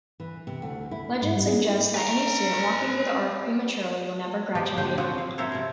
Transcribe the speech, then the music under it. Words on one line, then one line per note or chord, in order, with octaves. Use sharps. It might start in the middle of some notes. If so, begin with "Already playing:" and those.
Legend suggests that any student walking through the arch prematurely will never graduate.
E3
C3
D2
E4
G#2
G3
G#4
B4 A#5
F3 B3 G4
D3 A#3 G4 C5 G5
A#2 F3 C4 F#4
F5
C4 E4 A4 A#4 C5 C#5
C3 A#4